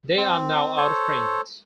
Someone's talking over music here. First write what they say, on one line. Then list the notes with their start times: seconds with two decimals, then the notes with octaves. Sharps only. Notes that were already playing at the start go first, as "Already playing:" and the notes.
They are now out of print.
0.17 C4
0.77 A4 C5 C#5